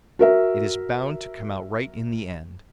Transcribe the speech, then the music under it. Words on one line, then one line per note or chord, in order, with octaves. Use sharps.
"It is bound to come out right in the end."
F#4 A#4 E5